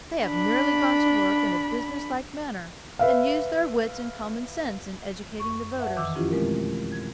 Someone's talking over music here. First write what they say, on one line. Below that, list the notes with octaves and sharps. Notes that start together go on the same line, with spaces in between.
They have merely gone to work in a business-like manner and used their wits and common-sense in educating the voters.
D4 B5
B4 E5 F5
F#2 C#6
B4 E5 F#5 A5
F2 D#3 E3 D6 E6
F3 C#4 E4 F4 G4
B2 G#3 A3 C4 A#4
G#6